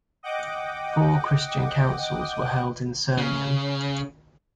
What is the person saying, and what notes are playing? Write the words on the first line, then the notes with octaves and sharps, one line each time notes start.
Four Christian councils were held in Sirmium.
D#5 F#5 G5 D6
C#3